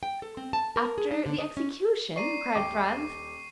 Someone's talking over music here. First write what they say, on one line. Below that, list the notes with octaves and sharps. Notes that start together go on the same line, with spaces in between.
"After the execution?" cried Franz.
G5
A4
C4
A5
A#4
G#4
D#4
D3
D#5
C#4
D5 A#5 C#6 C7 D#7
D#1 G5 D6